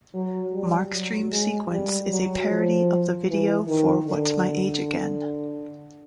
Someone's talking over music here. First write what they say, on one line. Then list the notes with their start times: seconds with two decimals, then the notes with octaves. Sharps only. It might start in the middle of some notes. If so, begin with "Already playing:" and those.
Mark's dream sequence is a parody of the video for What's My Age Again?
0.14 F#3
0.53 G3
0.92 F#3
1.32 G#3
1.71 G3
2.11 F#3
2.50 F3
3.29 E3
3.68 D#3
4.07 D3